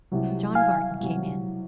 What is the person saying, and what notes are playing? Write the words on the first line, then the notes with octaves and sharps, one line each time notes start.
John Barton came in.
C2 C3 F#3
F5 G#5
C2 C3 F#3